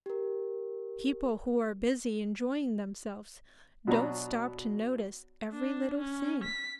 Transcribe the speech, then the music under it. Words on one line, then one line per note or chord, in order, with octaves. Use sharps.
People who are busy enjoying themselves don't stop to notice every little thing.
G4 A#4
B2 F#3 D4 F#4 A#5 B5
D4
C#4
B6